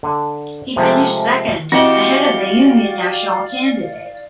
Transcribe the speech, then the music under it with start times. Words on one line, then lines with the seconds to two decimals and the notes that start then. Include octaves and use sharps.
He finished second, ahead of the Union Nationale candidate.
0.03 D3
0.76 C3 F3 G#3 A3
1.72 E3 C4 F#4 G4 D5 D#5 F5 F#7